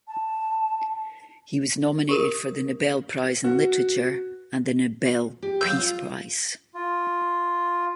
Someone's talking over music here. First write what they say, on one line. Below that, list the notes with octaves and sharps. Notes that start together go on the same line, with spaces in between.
He was nominated for the Nobel Prize in Literature, and the Nobel Peace Prize.
A5
G4 A#4 D#6
F#4 B4
G4
F#3 F5 E6 G6
F4
F4